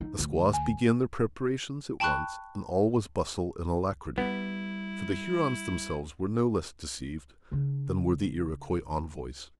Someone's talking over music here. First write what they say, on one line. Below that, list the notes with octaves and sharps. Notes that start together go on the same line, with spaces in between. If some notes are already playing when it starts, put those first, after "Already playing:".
The squaws began their preparations at once, and all was bustle and alacrity; for the Hurons themselves were no less deceived than were the Iroquois envoys.
D#4
D2
G#5
G5 A5 B5 C#6 F#6
G3 B3 E4
C#3 D4